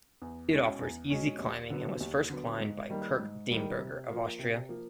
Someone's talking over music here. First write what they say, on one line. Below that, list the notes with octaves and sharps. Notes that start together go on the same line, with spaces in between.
It offers easy climbing and was first climbed by Kurt Diemberger of Austria.
E2
B2 G#3 C#4
E2
B2 G#3 C#4
D#2
D3 F#3 B3
D#2
D3 F#3 B3
G#2
D#3 G3 A#3
G#2
D#3 G3 A#3
C3
F3 A#3
C3
F3 A#3